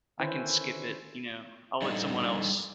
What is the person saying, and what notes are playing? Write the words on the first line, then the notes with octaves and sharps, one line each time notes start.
I can skip it," you know? "I'll let someone else
D3 D#3 C#4 E4 B4 C5
G3 D4 D#4 A4 D#5